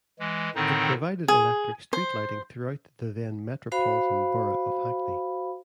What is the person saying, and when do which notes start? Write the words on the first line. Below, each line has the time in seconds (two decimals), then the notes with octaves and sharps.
It provided electric street lighting throughout the then Metropolitan Borough of Hackney.
0.20 E3 G#3
0.55 A2 D3 D#3 C4 D#4
1.28 G#4
1.93 C5
3.72 F#4 C5 F5 B5